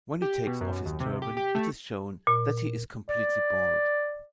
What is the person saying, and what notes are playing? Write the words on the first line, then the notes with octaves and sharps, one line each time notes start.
When he takes off his turban, it is shown that he is completely bald.
G4
B2
F#2
D#2
C3
G4
G4
A3
A#2
D5